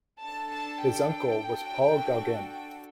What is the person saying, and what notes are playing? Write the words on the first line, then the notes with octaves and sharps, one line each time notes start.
His uncle was Paul Gauguin.
D4 A4 A5
A5
G5
D4 F#4 A4